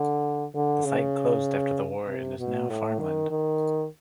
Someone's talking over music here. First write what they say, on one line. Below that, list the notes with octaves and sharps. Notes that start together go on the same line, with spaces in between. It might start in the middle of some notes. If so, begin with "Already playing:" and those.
The site closed after the war and is now farmland.
Already playing: D3
D3
C#3
C3
B2
A2
D#3
D#3